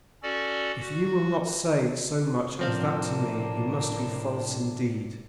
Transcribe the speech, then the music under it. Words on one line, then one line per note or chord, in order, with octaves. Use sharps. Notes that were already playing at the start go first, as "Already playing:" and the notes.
If you will not say so much as that to me you must be false indeed.
C#4 F#4 A4 D5
F#4
A2 C3 F3 A#3 C4 D4 F5